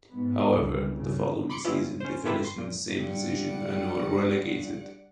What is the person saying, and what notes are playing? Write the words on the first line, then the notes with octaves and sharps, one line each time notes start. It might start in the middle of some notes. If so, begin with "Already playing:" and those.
However, the following season they finished in the same position, and were relegated.
G#2 B3
C#2 B2 D3 E3 G3
G2 C#3
B5 C6 D6 C#7 D7
G3 G#3 B3 C#4 E4 F4
C#4 C5
E4 F4 G4 A4 B4 E5
C6
A#2
G2 G3 D5 F#5